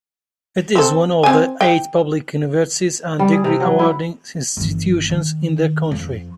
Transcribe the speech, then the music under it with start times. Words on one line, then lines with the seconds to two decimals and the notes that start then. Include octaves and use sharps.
It is one of the eight public universities and degree-awarding institutions in the country.
0.75 C4 A4
1.23 C4 G#5
1.61 G5
3.19 G3
3.32 G#4
3.44 C3
3.60 F#3
3.79 E4
4.57 G1 E3
5.10 D#3
5.91 F2